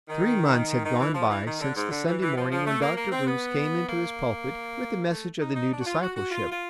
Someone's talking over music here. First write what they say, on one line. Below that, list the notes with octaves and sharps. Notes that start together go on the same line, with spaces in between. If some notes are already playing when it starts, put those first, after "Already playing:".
THREE months had gone by since the Sunday morning when Dr. Bruce came into his pulpit with the message of the new discipleship.
D#3
D#3
E3
F3
E3
D#3
D3
G#2
D3
E3
E3
F3
F3
A3
A#3
A#3
C4
B3
A#3
A3
D#4
D#4
D4
F#4
F4
F#4
F#4
F4
F4